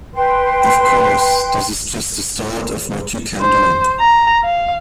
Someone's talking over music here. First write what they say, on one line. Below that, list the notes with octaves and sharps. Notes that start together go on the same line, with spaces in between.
Of course, this is just the start of what you can do.
B4 G5 C6
C5
A#5
F5